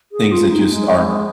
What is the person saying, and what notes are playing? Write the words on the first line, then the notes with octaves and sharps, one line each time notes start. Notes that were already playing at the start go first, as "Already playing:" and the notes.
things that just aren't
G#4
F4
D#4
G#3
G#3